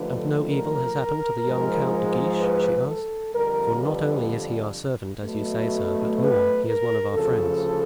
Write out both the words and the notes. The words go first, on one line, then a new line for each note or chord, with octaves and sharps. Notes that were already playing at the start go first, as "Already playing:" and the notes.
"And no evil has happened to the young Count de Guiche?" she asked; "for not only is he our servant, as you say, sir, but more--he is one of our friends."
Already playing: D#2 D3 F3 A3 B4
A#4
G#2 F3 G#3
B4
A4
F2 D3 G3 A#4
B4
B2 F#3 A3
B4
A#4
D2 C#3 F3 A4